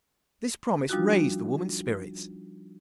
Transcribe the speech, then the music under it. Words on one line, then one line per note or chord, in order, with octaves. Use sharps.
This promise raised the woman's spirits.
F3 G3 D4 D#4 F4 F#4